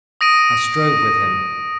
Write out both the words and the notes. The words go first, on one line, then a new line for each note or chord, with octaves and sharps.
I strove with him.
D#6 A#6 D7 D#7